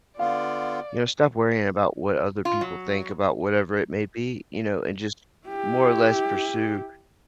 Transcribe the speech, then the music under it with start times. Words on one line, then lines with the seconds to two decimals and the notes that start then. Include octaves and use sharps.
you know, stop worrying about what other people think about whatever it may be, you know, and just more or less pursue,
0.19 D3 B3 F4 D5 F5
2.45 F4
2.61 F#3
5.48 E4 G4